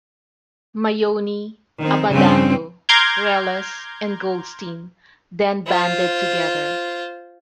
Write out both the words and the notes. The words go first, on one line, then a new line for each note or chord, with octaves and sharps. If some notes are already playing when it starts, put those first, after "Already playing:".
Maione, Abbandando, Reles, and Goldstein then banded together.
D#3 C4
G2 C#3 C4
A#5 C6 D6 F6 G6 G#6
F4 C5